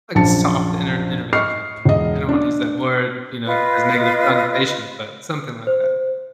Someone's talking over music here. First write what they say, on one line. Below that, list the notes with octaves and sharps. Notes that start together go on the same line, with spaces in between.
Like a soft inter intervention kinda thing. I don't want to use that word, you know, it has negative connotations, but something like that.
A#1 F#2 A5 C#7
D#5 C#6 F6 C7
E1 D#5
D4
F4 B4 D#5
C5